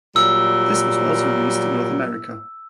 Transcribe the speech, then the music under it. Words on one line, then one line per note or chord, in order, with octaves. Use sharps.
This was also released in North America.
A#2 F#3 G3 E6